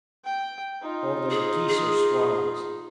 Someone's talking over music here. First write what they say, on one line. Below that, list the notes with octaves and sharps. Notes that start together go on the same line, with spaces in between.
All their geese are swans.
G5
D#4 F4
G#4
G#4